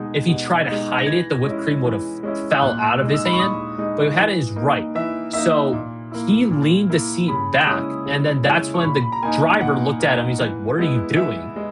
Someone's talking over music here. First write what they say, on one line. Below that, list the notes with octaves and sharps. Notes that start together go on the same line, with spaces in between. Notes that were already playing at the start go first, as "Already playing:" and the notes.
if he tried to hide it, the whipped cream would have f fell out of his hand, but he had in his right. So, he leaned the seat back, and then that's when the driver looked at him, he's like, "What are you doing?"
Already playing: B2 G#3 D#4
B2
G#3 D#4
A#6
E3 G#6
G#3 C#4 E4
E3
G#3 C#4 E4
E6
A#2 F#6
E6
G#3 D#4
E6
B5
C#6
A#2 D#6
G#3 D#4
E3
A#3 D#4
E3 E5
A#3 D#4 E5
A#2
A#3 E4
A#2
A#3 E4
C#3 B5
G#3 C#4 E4 D#6
C#3
G#3 C#4 E4
C#6
A#2 B5
B5
A#5
A#3 D#4 G#5
A#2 F#5
A#3 D#4
E3
G#3 B3 E4
E3 E5
G#3